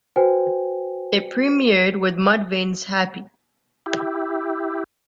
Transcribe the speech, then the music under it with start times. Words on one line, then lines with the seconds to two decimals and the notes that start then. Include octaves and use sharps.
It premiered with Mudvayne's Happy?
0.16 F#4 B4 C5 G5 G#5
3.86 E4 G4